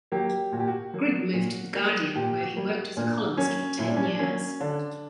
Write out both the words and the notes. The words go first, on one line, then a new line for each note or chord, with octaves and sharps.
Grigg moved to "The Guardian", where he worked as a columnist for ten years.
F#3 A#3 G4
A#2 F#4
G4
F#4
F#3 A#3
A#2
G3 A#3
A#2 G4
F#4
G3 A#3
F#4
A#2 D4
F#3 A#3 C#4
A#2 E4
D4
C#4
D4
F#3 A#3 C#4
D3 D4